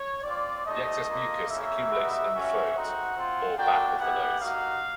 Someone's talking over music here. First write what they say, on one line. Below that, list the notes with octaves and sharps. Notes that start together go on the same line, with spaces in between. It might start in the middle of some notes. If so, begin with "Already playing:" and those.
The excess mucus accumulates in the throat or back of the nose.
Already playing: C#5
C4 F4 D5
A3 C4 D#4 G4 D#5
A#3 D4 F4
A#3 C#4 E4 G4 E5
G3 B3 D#4 F#4
G3 A#3 C#4 F#4
C4 D#4 F#4 F#5
C4 F4
A#3 D4 F#4 G5
B3 E4 G4 F#5
A#3 D#4 F#4 F5